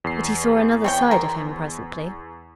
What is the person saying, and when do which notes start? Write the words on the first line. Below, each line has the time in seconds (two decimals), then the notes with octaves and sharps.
But he saw another side of him presently.
0.04 E2 C7
0.84 C4 C#5 G5
1.11 A#4 C5